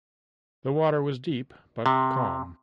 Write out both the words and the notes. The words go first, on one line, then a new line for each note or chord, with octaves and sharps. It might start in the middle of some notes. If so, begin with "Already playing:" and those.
The water was deep, but calm.
C3